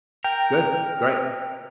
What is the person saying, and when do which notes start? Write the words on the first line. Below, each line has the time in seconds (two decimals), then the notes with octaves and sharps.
Good. Great.
0.24 A#4 G5